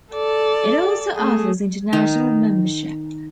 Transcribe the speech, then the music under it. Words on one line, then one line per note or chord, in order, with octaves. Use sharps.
It also offers international membership.
A4 D5
A3 G#4
D#3 D#4